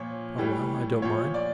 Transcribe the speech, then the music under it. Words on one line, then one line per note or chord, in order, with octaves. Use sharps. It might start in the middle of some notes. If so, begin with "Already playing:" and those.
"Oh well--I don't mind."
Already playing: A#2 F3 C#5
A2 E3 G3
A#2 F3 C#5
D5